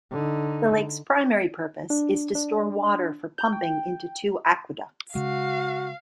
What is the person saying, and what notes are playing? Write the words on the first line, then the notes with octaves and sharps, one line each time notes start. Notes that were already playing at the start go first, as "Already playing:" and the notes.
The lake's primary purpose is to store water for pumping into two aqueducts.
D3 D#4
D4
D4
G6
G5
C#3 G#3 F#4 F5